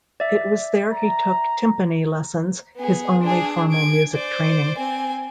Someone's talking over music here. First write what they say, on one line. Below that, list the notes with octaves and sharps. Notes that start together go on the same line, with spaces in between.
It was there he took timpani lessons, his only formal music training.
D5 E5
A#5
B3 G#4
D4 G#4
G#6 D7
C5 D5
C4 G#5